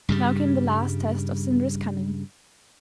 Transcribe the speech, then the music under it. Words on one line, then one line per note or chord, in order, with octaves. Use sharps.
Now came the last test of Sindri's cunning.
G2 C#3 G3